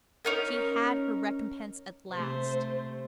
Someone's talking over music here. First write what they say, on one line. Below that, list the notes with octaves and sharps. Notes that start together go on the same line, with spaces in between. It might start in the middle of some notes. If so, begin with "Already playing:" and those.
She had her recompense at last.
C#4 D#4 A#4
C3 A3 C5